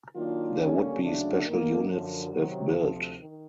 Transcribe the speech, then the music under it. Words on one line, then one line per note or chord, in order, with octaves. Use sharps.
There would be special units if built.
D#3 F#3 A#3 D4 F4
D3 G3 A#3 C#4
D2 C#3 F#3 A3 D4
G2 D#3 F#3 A#3
F#2 D3 F3
C3 D#3 F#3
D2 C3 F3
D#3